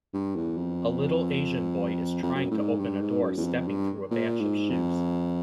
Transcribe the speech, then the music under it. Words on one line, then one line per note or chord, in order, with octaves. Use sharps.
A little Asian boy is trying to open a door stepping through a batch of shoes.
G2
E2
F2
F2
F#2
A2
G#2
G2
G#2
F#2
E2
F2
G2
A#2
G#2
F2